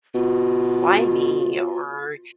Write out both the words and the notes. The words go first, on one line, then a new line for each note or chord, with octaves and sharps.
"Why me?" or
B2 F4